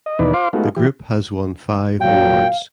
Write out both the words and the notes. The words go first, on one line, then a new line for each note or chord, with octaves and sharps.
The group has won five awards.
D#5
D#2 B2 E3 D#4 B4 D5
F4 C5 F5 C6 D6
G#3 A3 B3 D#4 F4 F#4
E3 G4
A#2 F#3 F5 G5